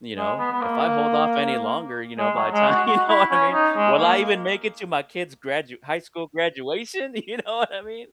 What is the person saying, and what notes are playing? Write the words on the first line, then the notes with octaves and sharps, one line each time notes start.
you know? If I hold off any longer, you know, by the time I you know what I mean? Will I even make it to my kid's gradu high school graduation? You know what I mean?
G#3
B3
B3
A#3
G#3
F#3
G#3
F#4
F#4
E4
C#4
D#4
G#3
A#3